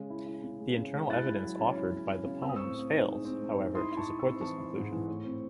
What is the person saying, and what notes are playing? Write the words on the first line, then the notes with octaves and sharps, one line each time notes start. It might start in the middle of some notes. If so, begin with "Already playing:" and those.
The internal evidence offered by the poems fails, however, to support this conclusion.
Already playing: C#3 G#3
E4
E4
C#3
G#3
C#3
G#3
E4 F#6 A6
E4
F#3
C#4
E4
C#4
C#4
C#3
C4 E6
D#6
A2 C#6 E6
C4
D#4
G#3
C4
G#3
D#4
E4 C6 D#6
E4 A5 C#6
E4
C#6 E6
C4
E3 A5 C#6
E4
G#2
E3
A2
C4